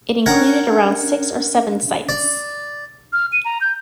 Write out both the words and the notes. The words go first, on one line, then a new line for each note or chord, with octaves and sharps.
It included around six or seven sites.
C#4 D4 A#4 F#5 G5 G#6
D5
F6
D#7
A#5
G6